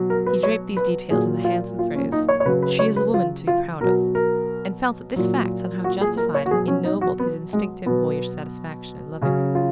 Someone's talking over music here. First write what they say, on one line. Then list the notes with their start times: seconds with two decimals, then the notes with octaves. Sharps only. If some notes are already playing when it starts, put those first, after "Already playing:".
He draped these details in the handsome phrase "She's a woman to be proud of", and felt that this fact somehow justified and ennobled his instinctive boyish satisfaction in loving her.
Already playing: B2 F#3
0.10 A#4
0.26 B4
0.43 C#5
0.77 B4
1.10 A#2 F#3 G#4
1.44 F4
1.79 F4
1.95 C#4
2.12 D#4
2.29 C#5
2.40 C#5
2.45 C#3 F#3 B4
2.62 B4
2.79 C#5
2.96 B4
3.14 F4
3.47 F4
3.81 B2 F#3 A#4
4.15 A#4
5.16 A#2 F#3
5.84 F#4
6.01 G#4
6.17 A#4
6.34 C#5
6.46 F#4
6.51 B2 F#3 G#4
6.68 C#4
6.84 D#4
7.01 F#4
7.19 B3
7.53 G#3
7.86 B2 F#3 B3
9.21 C#3 F#3 C#4
9.55 F4